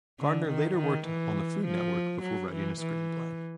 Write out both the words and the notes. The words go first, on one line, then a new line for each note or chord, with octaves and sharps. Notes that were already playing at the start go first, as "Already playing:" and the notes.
Gardner later worked on the Food Network before writing a screenplay.
D3
D#3
D#3
E3
F3
F#3
E3
E3